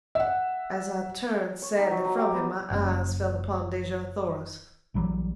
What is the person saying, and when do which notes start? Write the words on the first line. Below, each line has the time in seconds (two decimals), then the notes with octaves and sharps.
As I turned sadly from him my eyes fell upon Dejah Thoris.
0.15 E5 F#5
1.62 C#5
1.78 D#4
1.91 F#3
2.05 A#5
2.18 G4
2.33 B3
2.71 F#1 C#4
4.94 A#1 E3 F#3 G3